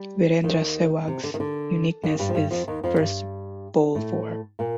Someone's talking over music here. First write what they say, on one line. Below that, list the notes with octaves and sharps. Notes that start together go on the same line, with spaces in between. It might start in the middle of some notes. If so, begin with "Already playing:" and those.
Virendra Sehwag's uniqueness is first bowl four.
Already playing: G3
D#2 D#3
C3
D3
D#3
D3
D#2 D#3
G2 G3
F3
G2 G3
F2 F3
D#2 D#3
F2 F3
G2 G3
A2 A3
A#2 A#3